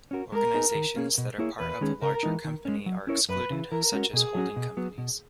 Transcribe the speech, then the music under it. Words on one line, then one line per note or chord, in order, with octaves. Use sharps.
Organisations that are part of a larger company are excluded, such as holding companies.
C#4 F#4 A#4
G#3 A#4
B3 D#4 G#4
D#3
A#3 C#4 G#4
B2
A#3 E4 G#4 C#5
E2 B4
D#3 G#3 C#4 G#4
C#3 A#4
E3 G#3 B3 D#4
D#3
G#3 C#4
F#3
C#4 E4 A#4 C#5
F#2 B4
C#3 E3
E3 A#4
G#3 C#4 F#4 A#4
B2 G#4
F#3 C#4 F#4
B2
F#3 B3
B2